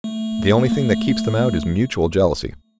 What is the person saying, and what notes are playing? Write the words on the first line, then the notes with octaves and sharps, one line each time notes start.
The only thing that keeps them out is mutual jealousy.
A3
A3
A#3
A3
A3